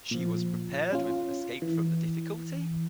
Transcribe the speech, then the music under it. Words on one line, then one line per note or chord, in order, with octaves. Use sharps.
She was prepared with an escape from the difficulty?
A#2 F3
C#4 F4
E3